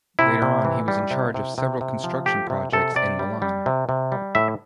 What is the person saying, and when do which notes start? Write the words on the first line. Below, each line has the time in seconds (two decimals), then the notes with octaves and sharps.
Later on, he was in charge of several construction projects in Milan.
0.19 C3 E4
0.42 C3
0.65 E3
0.88 G3
1.11 C3
1.34 C3
1.58 C3
1.81 C3
2.04 F3
2.26 A3 G4
2.50 C3
2.73 C3 A4
2.96 C3 D5
3.19 G3
3.42 G3
3.66 C3
3.89 C3
4.12 G3
4.35 A2 E5